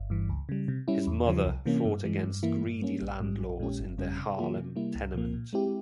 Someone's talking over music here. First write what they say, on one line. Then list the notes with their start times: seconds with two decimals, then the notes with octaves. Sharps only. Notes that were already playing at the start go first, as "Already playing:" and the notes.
His mother fought against greedy landlords in their Harlem tenement.
Already playing: G1
0.10 G2 E3
0.29 C#2
0.49 C#3 G3
0.68 C3
0.88 G3 C#4 E4
1.07 E2
1.26 C#3 F3
1.46 C2
1.66 C3 E3 A#3 C#4
1.85 G2
2.04 E3 G#3
2.24 G2
2.43 E3 A#3 E4
2.63 G2
2.82 G3 A#3 C#4
3.02 A#1
3.20 G#2 G3
3.40 A#1
3.59 A#2 G#3 C#4 G4
3.79 G1
3.98 F2 C#3 G3 C#4
4.17 C3
4.37 E3 A#3 F4 G#4
4.57 C3
4.76 G3 A#3 E4
4.95 C2
5.14 A#2 F3 A#3
5.34 A#2
5.53 G#3 C4 E4 G4